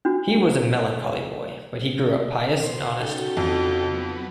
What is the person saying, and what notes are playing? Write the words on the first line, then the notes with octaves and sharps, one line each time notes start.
He was a melancholy boy, but he grew up pious and honest.
D4 F#4
B2 C5
C#3 D#4 F#4 A4 G5
F2
F#3 B3